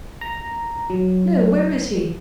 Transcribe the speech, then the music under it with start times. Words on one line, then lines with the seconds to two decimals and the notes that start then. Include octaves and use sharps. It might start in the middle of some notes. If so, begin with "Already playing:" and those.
"No, where is he?"
0.21 A#5
0.90 F#3